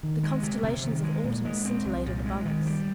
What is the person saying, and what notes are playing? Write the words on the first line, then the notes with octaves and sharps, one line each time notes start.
The constellations of autumn scintillated above us.
D#3
G#3
C3
C3
D#3
G#3
A#2
G#3
C4
C2
A#2
G#3
D#3
G3